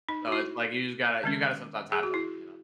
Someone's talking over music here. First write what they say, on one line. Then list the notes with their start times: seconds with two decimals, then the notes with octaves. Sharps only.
So, it's like you just gotta you gotta sometimes have that, you know?
0.09 D#4
0.28 F#4
0.32 E4
1.24 D#3 G#3 C#4
1.92 G#4
2.03 F#4
2.14 E4